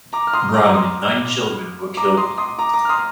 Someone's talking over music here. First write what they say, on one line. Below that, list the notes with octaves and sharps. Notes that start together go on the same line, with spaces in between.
Brown and nine children were killed.
A#5 D6
F6
C6 D#6
D#6
A#5 D6
C6 D#6
A#5 D6
C6 D#6
C6 D#6
A#5 D6
A#5 D6
F6
C6 D#6